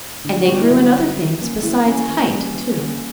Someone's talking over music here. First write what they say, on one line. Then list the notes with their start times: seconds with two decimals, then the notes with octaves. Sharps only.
And they grew in other things besides height, too.
0.25 D3 D4
0.40 F#4
0.48 G3 B3 G4
0.61 E4
0.71 D3 F#3 F#4
0.94 G3 B3
1.17 E3
1.40 A#3 C#4
1.63 E3 E4
1.86 A#3 C#4
2.09 E3
2.32 G3 A#3 C#4
2.55 E3
2.78 G3 A#3 C#4